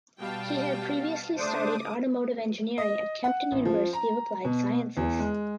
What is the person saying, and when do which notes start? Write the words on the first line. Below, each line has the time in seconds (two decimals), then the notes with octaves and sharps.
He had previously studied automotive engineering at Kempten University of Applied Sciences.
0.19 B2 G3 F5 G5 A5
1.37 C#3 A3 D4 C5 D6 D#6
2.78 D#5
3.24 F#5
3.51 A1
3.65 F3
3.93 A#5
4.45 B2
4.97 E2
5.19 G#3